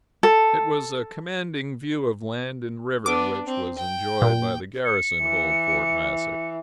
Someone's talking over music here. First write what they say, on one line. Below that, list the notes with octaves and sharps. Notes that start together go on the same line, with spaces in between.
It was a commanding view of land and river, which was enjoyed by the garrison of old Fort Massac.
A4
B3 D4 D6
C4
G5
A#2
C#7
E3